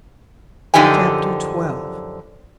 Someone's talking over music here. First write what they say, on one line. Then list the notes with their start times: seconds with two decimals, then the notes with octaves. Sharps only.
Chapter XII.
0.74 F#2 D3 F3 D#4 G4 G#5